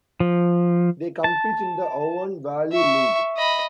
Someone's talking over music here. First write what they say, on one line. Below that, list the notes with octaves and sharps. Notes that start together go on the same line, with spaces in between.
They compete in the Avon valley league.
F3
A5
E5 C#6
D#5 B5